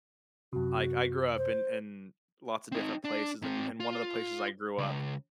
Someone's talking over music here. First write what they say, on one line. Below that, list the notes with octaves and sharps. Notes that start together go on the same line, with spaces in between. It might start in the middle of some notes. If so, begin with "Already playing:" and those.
like I grew up in in lots of different places and and one of the places I grew up
F#2 C3 F#4
C5
C4 D#4
D4
G#2 C4
F4
C#2